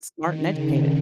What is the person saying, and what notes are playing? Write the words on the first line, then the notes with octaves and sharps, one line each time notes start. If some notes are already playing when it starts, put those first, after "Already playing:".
smart and educated.
D#3
C#3